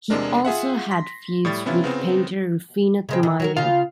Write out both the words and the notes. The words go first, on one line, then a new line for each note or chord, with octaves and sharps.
He also had feuds with painter Rufino Tamayo.
E2 C3 G#3 D4 A#4
F4 G#4 E5 F#5
C6 A#6 B6
A2 G3 A6
C3 B3 C#4 E4 F4
C#3 B3 C4
C#3 G#3 C4
D#3
F#3 F#4 A#4
C#3 F4 F5